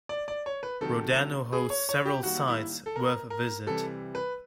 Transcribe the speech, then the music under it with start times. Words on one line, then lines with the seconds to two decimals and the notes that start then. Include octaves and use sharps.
Rodano hosts several sights worth a visit.
0.09 D5
0.28 D5
0.46 C#5
0.63 B4
0.81 C3 D#3 F#3 A3 A4
1.53 G#4
1.70 C#5
1.89 C#5
2.06 G4
2.23 D#3 G3 A#3 F#4
2.48 E4
2.86 A4
2.96 A#4
3.30 A#4
3.67 C3 E3 G3 A4
4.15 B4